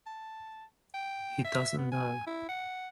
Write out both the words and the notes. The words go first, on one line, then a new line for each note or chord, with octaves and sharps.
He doesn't know.
A5
G5
E5
B3
G#5
E4
F#5